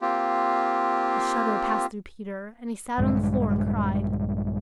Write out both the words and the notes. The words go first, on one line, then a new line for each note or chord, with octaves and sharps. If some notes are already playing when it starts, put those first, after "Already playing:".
A shudder passed through Peter, and he sat on the floor and cried.
A#3 C4 F4 G4
A#1 G2 D3 G#3